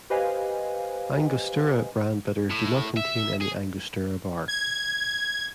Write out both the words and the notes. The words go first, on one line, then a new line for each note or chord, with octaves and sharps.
Angostura brand bitters do not contain any angostura bark.
G4 B4 C5 D#5 F5 G#5
A2
E5
G#4
G#6